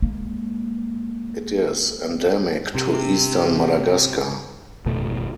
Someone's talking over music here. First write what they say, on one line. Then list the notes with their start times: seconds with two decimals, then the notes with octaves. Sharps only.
It is endemic to eastern Madagascar.
0.02 G#3 A#3
2.75 C3
4.86 G#1 F2 B2 A3